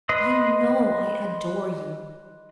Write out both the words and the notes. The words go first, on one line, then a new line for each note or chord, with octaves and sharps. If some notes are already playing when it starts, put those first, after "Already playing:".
You know I adore you.
B4 D#5 C6 D#6